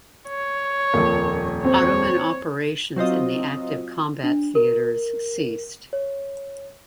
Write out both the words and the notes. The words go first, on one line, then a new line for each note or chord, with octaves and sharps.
Ottoman operations in the active combat theatres ceased.
C#5
D#1 F2 A#3
C4 C#5
F#3 C4 F4 D#5
D4
A#4
C#5